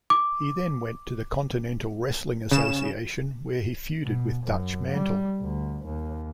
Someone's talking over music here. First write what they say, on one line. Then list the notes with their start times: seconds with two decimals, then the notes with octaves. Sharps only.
He then went to the Continental Wrestling Association where he feuded with Dutch Mantel.
0.10 D6
2.51 C#3 E7
4.03 B2
4.43 F#2
4.90 G3
5.41 D2
5.85 D#2